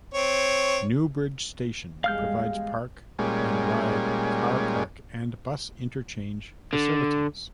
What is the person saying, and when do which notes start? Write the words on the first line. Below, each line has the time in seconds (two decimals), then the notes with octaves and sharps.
Newbridge station provides Park and Ride car park and bus interchange facilities.
0.14 C4 C#5
2.04 E2 G3 G#3 F5 F6 G6
3.19 A#2 G3 G#3 C#4
6.73 D3